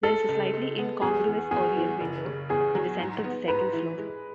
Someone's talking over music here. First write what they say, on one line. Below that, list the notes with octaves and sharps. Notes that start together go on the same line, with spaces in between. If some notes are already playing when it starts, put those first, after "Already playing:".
There is a slightly incongruous oriel window in the centre of the second floor.
G#3 A4
C#2
G#3
B3
E2 G#4
E2
E2 G#4
E3
F#1
C#3
E2 G#4
F#3
G#2
B3
G#2 B4
E3
G#3